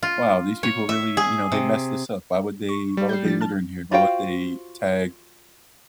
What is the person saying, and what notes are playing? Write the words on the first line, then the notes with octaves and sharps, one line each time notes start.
"Wow, these people really you know, they messed this up. Why would they why would they litter in here? Why would they tag
F4
C#5
E5
G#4
C3
C#6
G3
G6 C7
F3 D4 A6
A5 F6
F4 F#4 C5 F5 G5